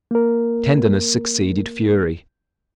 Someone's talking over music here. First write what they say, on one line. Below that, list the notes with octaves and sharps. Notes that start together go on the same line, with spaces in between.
Tenderness succeeded fury.
A#3 A#4